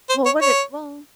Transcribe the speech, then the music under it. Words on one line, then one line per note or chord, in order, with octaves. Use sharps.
Well, what it well
C5
C#5
C#5